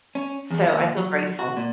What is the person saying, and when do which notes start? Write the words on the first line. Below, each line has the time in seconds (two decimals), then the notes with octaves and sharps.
So, I feel grateful.
0.15 C#4
0.50 E2
0.73 D#2
0.97 F#3
1.39 F#4
1.57 A#2